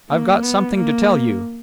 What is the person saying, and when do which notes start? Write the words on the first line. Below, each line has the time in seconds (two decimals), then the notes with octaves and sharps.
"I've got something to tell you."
0.10 A#3
0.42 B3
0.76 A#3